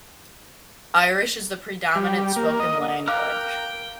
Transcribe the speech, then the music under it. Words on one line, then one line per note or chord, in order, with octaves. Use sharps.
Irish is the predominant spoken language.
G3
A#3
D#5
A#4 F5 G5 A#5 D6 F6 F#6